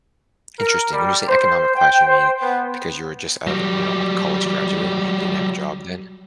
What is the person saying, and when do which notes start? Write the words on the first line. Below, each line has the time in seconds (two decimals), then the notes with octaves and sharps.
Interesting. When you say economic class, you mean because you were just out of a, you know, a college graduate and didn't have a job then?
0.60 A#4
0.92 G3
1.27 C5
1.75 G5
2.06 C5
2.41 B3
3.47 F#3 G3